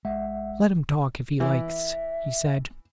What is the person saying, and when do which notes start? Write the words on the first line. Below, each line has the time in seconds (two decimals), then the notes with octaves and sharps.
"Let him talk if he likes," he said.
0.05 A1 G#3 E5 F#5
1.40 E3 E5